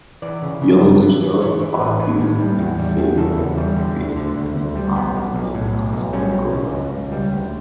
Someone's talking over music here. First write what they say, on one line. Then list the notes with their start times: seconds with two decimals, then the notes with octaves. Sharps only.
Yo'ldoshev argues in favor of creating an Islamic state on a local level instead.
0.22 E3 D5
0.42 C#3
0.61 C#3
0.81 G1
1.01 E3
1.21 E3
1.41 E3 C#5
1.60 E3
1.80 A1 B4
2.00 A2 B4
2.19 A2
2.39 G3
2.58 E2
2.78 G3
2.98 E2
3.17 C#3 A4
3.37 E2
3.57 G3
3.77 D3
3.97 D2
4.16 D3
4.37 D2
4.56 D2
4.76 G3
4.95 B1 B3
5.15 B1
5.34 B1
5.54 A2
5.73 B1
5.93 B1
6.13 G3 C#4
6.32 B2
6.52 C#2
6.72 C#2
6.92 C#2
7.12 G3
7.32 D2